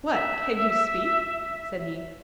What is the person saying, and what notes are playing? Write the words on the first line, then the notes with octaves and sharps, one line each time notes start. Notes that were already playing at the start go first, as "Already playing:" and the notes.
'What! can you speak?' said he.
E5